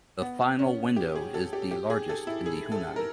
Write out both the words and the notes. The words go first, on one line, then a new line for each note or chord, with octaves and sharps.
The final window is the largest in the Honan.
B3
C#4
G4
G#4
A4
G4
G4
G#4
A4
E4
G#4
A4
A#4